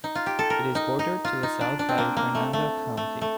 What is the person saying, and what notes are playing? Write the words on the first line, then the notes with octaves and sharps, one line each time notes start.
It is bordered to the south by Hernando County.
D#4
F4
G4
A4
A#4
D#4
D#4
F4
D#4
D4
D4
C4
A#3
A#3
A3
A3
A3
A3